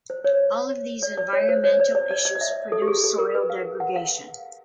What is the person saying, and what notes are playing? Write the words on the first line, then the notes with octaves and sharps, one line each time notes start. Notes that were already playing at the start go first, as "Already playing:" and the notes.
All of these environmental issues produce soil degradation.
C5
C#5
D5
D5
C#5
C5
C#5
D5
D5
D#5
D#5
D#5
E5
A4
G4
G#4
A4
A#4
B4
F5
F#5
F5